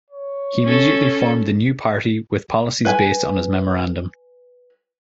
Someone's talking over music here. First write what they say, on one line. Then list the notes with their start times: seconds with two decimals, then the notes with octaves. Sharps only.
He immediately formed the New Party, with policies based on his memorandum.
0.10 C#5
0.64 C#4 A4
2.85 B4 G#5